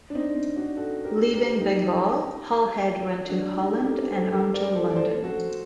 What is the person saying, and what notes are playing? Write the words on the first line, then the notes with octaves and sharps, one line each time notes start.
Leaving Bengal, Halhed went to Holland, and on to London.
D4
C4 D#4
C4
D4 F#4
F#4 A4
G4 A#4
G4 A#4
D#4 G4
D4 F#4
D#4 G4
A4
G4 A#4
A4 C5
A4
G4 A#4
A#4 D5
A4 C5
D5
A4 C5
F#4 A4